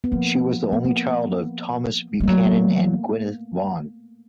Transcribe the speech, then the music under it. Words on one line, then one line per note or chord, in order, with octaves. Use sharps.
She was the only child of Thomas Buchanan and Gwynneth Vaughan.
B3
F3 A#3
B3
A#3
G3
A#3
F#3 A3
A#3
B3